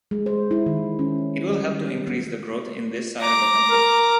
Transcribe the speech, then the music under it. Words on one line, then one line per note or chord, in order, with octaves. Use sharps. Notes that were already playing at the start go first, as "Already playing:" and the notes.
It will help to increase the growth in this side of the country.
G#3
C5
E4
D#3
C#4
G3
B3
A#5 D6
A#4